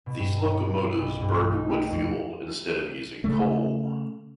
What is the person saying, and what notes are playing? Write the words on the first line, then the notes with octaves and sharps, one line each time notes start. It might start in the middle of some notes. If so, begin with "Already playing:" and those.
These locomotives burned wood fuel instead of using coal.
B2
G2
C#5
D7
B1
G2
A3
D#4
G4
F2
C#3 A3